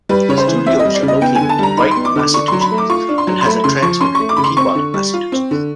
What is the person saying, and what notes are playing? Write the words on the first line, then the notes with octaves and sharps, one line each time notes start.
Studios are located in Brighton, Massachusetts, and has a transmitter in Peabody, Massachusetts.
G3 B4
C#3 C#5
C5
E3
C4 E5
D#5
G3
D5
C#3
D#5
B3 G5
G#5
D3
A5
G3 A#5
D#4 B5
B3 C6
D6
D3 D6
D4 C#6
F#3 C6
B5
A3
D6
F4 C#6
D4
C6
F#3
C6
A3 B5
C#3 C6
F3 C#6
C#4 C6
A3 C#6
D6
C#3 B5
C6
C4 C#6
D3
G3
F4
C4
D3